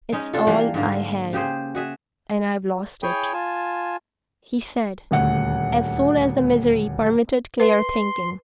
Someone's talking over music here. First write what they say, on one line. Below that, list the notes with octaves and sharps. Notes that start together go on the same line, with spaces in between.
'It's all I had and I've lost it,' he said, as soon as the misery permitted clear thinking.
G#3 C#4 D#4
C3 D4 F4 A4
E3 G3 A#3
G#2 D3 A#3
C#3 G4 G#4 C5
F#4 G#4 E5
E4 G#4 C#5 G5 G#5
F4 G#5 A5
D#1 D2 F#5
B4 C6